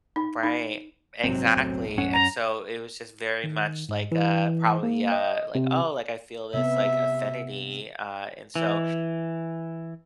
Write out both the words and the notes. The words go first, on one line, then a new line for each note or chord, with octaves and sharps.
Right. Exactly, and so it was just very much like, uh, probably, uh, like, "Oh, like, I feel this, like, affinity," uh, and so,
D#4
D#4
A#1 G#2 C3 F#3 C4
F#1 B1 A2
F#2 C#4 F#5
A#5
D#3
G#2
E3
A#3
D#5
C3
C3 B3 E5
E3